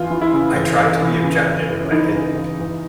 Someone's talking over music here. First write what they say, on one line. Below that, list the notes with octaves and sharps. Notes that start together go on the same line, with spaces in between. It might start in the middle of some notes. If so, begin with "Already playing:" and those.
I try to be objective in my opinion.
Already playing: E2 F4
E3
E4
C#3
E2
E2
E3
C#3
E2
E2
E3 D#4
C#3
E2
E2